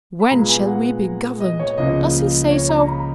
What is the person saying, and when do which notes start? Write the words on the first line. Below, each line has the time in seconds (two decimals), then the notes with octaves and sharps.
'When shall we be governed?' Does he say so?
0.20 B5
0.31 A#2 G#3 B3 A#5
0.49 G#5
0.67 F#5
1.40 D#5
1.59 C#5
1.77 C#2 C#3 F3 A#3 D#5
2.50 C#5
2.69 A#5
2.80 A#5
2.87 B5